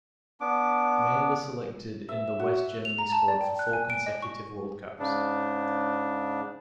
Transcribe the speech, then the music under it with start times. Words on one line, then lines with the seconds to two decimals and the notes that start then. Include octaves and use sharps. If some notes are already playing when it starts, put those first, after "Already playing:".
Maier was selected in the West Germany squad for four consecutive World Cups.
0.41 B3 D4 D6
2.09 E5
2.39 F#4
2.85 F7
2.98 A#5
3.12 A5
3.28 D5
3.41 G5
3.59 F#6
3.73 G#5
3.90 D7
4.06 D#5
4.22 C#6
4.99 G#2 C#3 D4